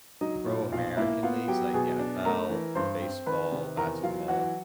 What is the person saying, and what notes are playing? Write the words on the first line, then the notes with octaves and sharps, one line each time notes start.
pro American leagues like the NFL, baseball, basketball,
F#3 D#4 D#5
A#2
B1 F4 F5
A#3 E4 E5
B3 F4 F5
F#3 G4 G5
B2 G#4 G#5
D4
A3 A#4 A#5
E3
G2 C5 C6
C4
D#3 B4 B5
C3
E2 A#4 A#5
F#3 F4 F5
E3 F#4 F#5